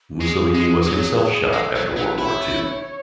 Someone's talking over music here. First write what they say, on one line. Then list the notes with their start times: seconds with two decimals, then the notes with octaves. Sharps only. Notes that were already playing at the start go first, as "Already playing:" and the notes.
Mussolini was himself shot after World War two.
0.21 G#3 G#4
0.55 G#3
0.86 F#3
1.53 G#3 A4
1.76 F#3 A4
1.86 C#5
1.90 B4
1.97 F#3
2.19 E4 C#5